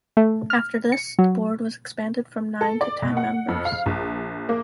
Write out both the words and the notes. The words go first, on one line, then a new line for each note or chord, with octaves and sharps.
After this the board was expanded from nine to ten members.
A3
F6
C#7
F#3
A4
D5
B2
F#5
F2
F5
A#1
A#3